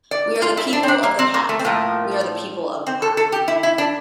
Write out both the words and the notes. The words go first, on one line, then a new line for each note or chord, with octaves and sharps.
We are the people of the path; we are the people of the path.
D5
F4
E4
D4
C4
D4
A#3
C4
A#3
A3
C4
A2 F3 A3 A#3
C4
A4
A4
G4
E4
E4
D4